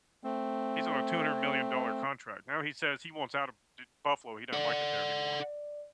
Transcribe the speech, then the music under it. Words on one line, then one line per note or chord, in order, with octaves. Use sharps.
he's on a two-hundred-million-dollar contract. Now, he says he wants out of de Buffalo. He don't like it there anymore.
A3 C4
A4 D5 F#5